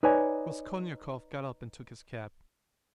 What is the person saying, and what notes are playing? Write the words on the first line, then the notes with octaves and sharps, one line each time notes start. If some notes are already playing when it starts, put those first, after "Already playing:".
Raskolnikov got up and took his cap.
D#4 B4 C#5 D5 G#5